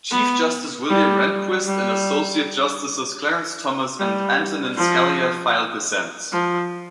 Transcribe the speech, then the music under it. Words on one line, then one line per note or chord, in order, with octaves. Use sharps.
Chief Justice William Rehnquist, and Associate Justices Clarence Thomas, and Antonin Scalia filed dissents.
B3
G3
G3
G3
F3
F3